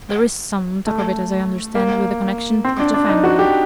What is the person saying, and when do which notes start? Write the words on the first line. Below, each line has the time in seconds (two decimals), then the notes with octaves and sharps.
'There is some talk of it, as I understand, with a connection of the family.'
0.87 A3
1.75 A#3
2.65 C4
2.79 D4
2.94 D4
3.09 D#4
3.24 F#4
3.39 G4